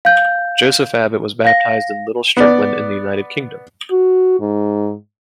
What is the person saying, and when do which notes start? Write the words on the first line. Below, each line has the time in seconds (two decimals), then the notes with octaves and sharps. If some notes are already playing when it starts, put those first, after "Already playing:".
Joseph Abbott was baptized in Little Strickland, in the United Kingdom.
0.05 F5 G6
1.44 F5 A#6
2.37 B3 D5
3.91 F#4
4.40 G#2